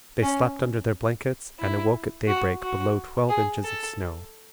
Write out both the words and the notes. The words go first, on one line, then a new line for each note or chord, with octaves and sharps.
They slept under their blankets and awoke at daybreak below twelve inches of snow.
C#4
E4
F#4
F#4
G#4
A4